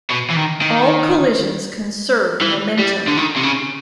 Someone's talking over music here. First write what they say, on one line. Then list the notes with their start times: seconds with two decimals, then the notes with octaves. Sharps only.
All collisions conserve momentum.
0.10 B2
0.30 E3
0.36 D#3
0.61 D#3
2.41 E3
2.79 G3
3.07 D3
3.17 D#3
3.36 C3
3.43 C#3